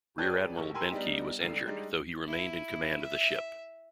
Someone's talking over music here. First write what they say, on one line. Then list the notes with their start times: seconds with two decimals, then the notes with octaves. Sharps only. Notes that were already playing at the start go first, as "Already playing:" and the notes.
Rear Admiral Behncke was injured, though he remained in command of the ship.
0.18 G#4 B4 C#5 D5 G5 A5
0.56 F#1 A4 C#6
0.74 G4 A#4 G#5 B5 C6 E6
0.92 G3 B3 D4 D#4 G4
1.40 E1 C2 D3 C7
1.66 G3 G#3 D4 D#4
2.27 E4
3.02 E5